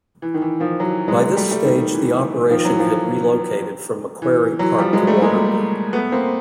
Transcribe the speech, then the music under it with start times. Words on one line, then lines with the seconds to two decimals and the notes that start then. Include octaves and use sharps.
By this stage the operation had relocated from Macquarie Park to Waterloo.
0.22 E3
0.34 D#3
0.42 E3
0.60 D#3 F3
0.79 E3 F#3
1.08 F#3 G#3
1.37 G3 A3
1.51 G3 A3
1.65 D#3
1.80 D#3
1.94 E3
2.51 D#3 F3
2.65 E3 F#3
2.79 D#3 F3
4.22 E3
4.59 E3 F#3
4.79 F3 G3
4.93 F#3 G#3
5.07 G3 A3
5.22 G#3 A#3
5.93 A3 B3
6.12 A#3 C4